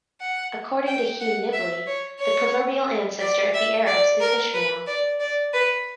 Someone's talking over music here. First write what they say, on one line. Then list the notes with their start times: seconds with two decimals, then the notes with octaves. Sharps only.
According to Hugh Nibley, the proverbial ancestor of the Arabs is Ishmael.
0.20 F#5
0.87 G5
1.20 F#5
1.53 E5
1.87 C#5
2.20 C#5
3.20 D5
3.54 E5
3.87 D5
4.21 A#4
4.54 B4
4.87 D5
5.20 D5
5.53 B4